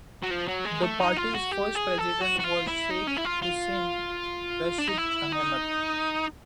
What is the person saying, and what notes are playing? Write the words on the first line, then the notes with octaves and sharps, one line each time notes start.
The party's first president was Sheikh Hussain Rasheed Ahmed.
F#3
F3
F#3
G#3
A3
D#4
F4
F#4
G4
G#4
A4
F#4
F#4
F4
E4
D#4
C#4
E4
F4
F4
D4
D#4
E4
D#4